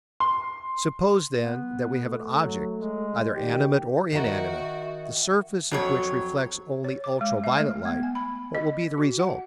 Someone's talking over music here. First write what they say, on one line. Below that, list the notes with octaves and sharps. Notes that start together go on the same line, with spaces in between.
Suppose then, that we have an object, either animate or inanimate, the surface of which reflects only ultra-violet light, what will be the result?
C6
B3
A3
F#3
G#3
D#3 G4
D#3 F#4 A#4 E5
F2 F#3 C#5
C#5
D6
G#3
E5
A3
B3
G#5
B5
D#5
F#4
F#5